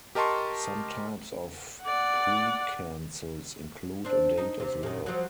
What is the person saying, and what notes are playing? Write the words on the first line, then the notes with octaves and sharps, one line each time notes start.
Some types of precancels include a date as well.
G4 A#4 D#5 A5 C6 C#6
D5 F#5
C4 D4
D#4
C3
A#2 D#3
F3 F#3